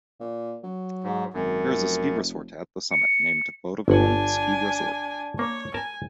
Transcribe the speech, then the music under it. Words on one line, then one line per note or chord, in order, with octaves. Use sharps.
There is a ski resort at the summit, named Vodafone Ski Resort.
A#2
F#3
G#2
G#1 F#2
F1
C#7
G1 D4 F#5 G#5
A#3 C#5
A#4 G#5 A5